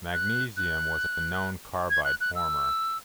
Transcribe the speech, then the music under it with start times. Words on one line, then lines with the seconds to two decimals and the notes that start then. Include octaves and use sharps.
Magnesium was a known carbide former.
0.13 F#6
0.57 F#6
1.90 G#6
2.04 F#6
2.20 F#6
2.35 E6